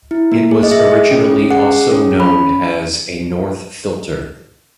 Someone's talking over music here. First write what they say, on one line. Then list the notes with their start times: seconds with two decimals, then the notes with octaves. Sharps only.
It was originally also known as a "North filter".
0.11 E4
0.32 A#3
0.51 G#4
0.63 D#5
0.71 G#4 E5
0.91 G#4
1.11 C#4
1.31 C#4
1.51 G#4 F#5
1.71 G#4
1.91 C#4
2.11 C#4
2.20 B5